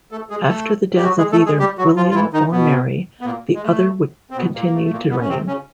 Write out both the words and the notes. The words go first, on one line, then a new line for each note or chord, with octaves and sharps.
After the death of either William or Mary, the other would continue to reign.
A3 A4
G#3 G#4
A3 A4
G4
F#3 F#4
G#3 G#4
A3 A4
G#3 G#4
G3 G4
F#3 F#4
F3 F4
F4
E3 E4
D#3 D#4
B2 B3
B3
A#2 A#3
G#3
A3
C4
B2 B3
A#2 A#3
A#3
A3
A3
A#2 A#3
B2 B3
C#4
C3 C4
C#3 C#4